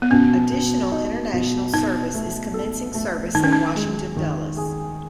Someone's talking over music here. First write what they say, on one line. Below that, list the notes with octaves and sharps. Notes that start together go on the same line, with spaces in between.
Additional international service is commencing service at Washington Dulles.
B3
B2 C#4
B2
D#4
B2
B2 D#4
A3
A4
A3
D#3 D#4
C#4
D#4
G#3
D#3
G#4